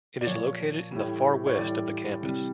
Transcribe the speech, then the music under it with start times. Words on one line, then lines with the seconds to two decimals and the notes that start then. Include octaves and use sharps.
It is located in the far west of the campus.
0.21 D5
0.27 A#2 F3 C#5
0.91 A2 E3 G3
1.47 C#5
1.56 A2 E3 G3 D5
2.21 C3 E3 G3